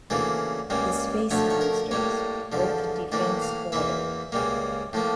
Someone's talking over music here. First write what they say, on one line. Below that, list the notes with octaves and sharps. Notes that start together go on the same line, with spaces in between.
The Space Monsters - Earth Defense Order.
D2 C#3 E3 A#3 D5
C#2 C#3 G3 A#3
D2 D3 F3 A3 C#5
C#5
A#4
A2 G3 A#3 C#5
E2 D3 F3
A2 E3 A#3 D5
F5
E2 E3 A#3 E5
C#2 C#3 G3 A#3
A2 F3 A#3